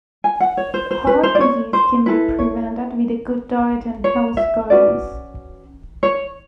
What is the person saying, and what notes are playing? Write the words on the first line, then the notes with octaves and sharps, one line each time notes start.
Heart disease can be prevented with a good diet and health guidance.
G#5
F#5
C#5
C5
C5
B4
C5
D5
C#5
C5
E4 A4 B4
C#5
C#5
E5
C#4 F#4 B4 D5
C#5